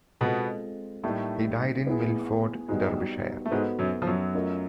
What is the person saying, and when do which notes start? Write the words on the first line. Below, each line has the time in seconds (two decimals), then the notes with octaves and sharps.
He died in Milford, Derbyshire.
0.21 B2 G#3 B3 C4 F4 A4
1.04 A2 G3 A3 A#3 D#4
1.87 B3 E4 G#4
2.68 G#2 G3 G#3 B3 D#4 F#4
3.46 A3
3.51 G#2 G#3 B3 D#4 F#4 A4 C5
3.79 F#2 F#3
4.02 F3
4.07 F#2 F#3
4.34 A3 C#4 F4 A#4 D#5